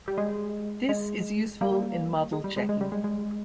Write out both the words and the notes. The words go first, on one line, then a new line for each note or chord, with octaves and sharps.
This is useful in model checking.
G3
G#3
G#3
G3 A#3
G#3
G3
G#3
G#3
G3
G#3
G#3